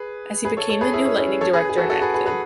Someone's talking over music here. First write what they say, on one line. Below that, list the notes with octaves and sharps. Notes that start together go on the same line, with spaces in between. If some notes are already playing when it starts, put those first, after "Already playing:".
As he became the new lightning director and acted.
Already playing: G#4 B4
G#4 B4
A4 C#5
A4 C#5
G#4 B4
E4 G#4
C#4
C#4
A4 C#5
G#4 B4
G#4
F#4 A4
F#4 A4
G#4 B4
G#4 B4
G#4 B4